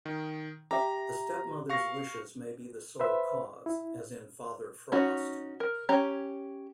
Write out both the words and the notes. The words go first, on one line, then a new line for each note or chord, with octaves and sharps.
The stepmother's wishes may be the sole cause, as in Father Frost.
D#3
G4 E5 A#5
F5 C#6 A#6
B4 C5 E5 B5
E4
C#4 D#4 F#4
A#4
C#4 G4 C#5 A#5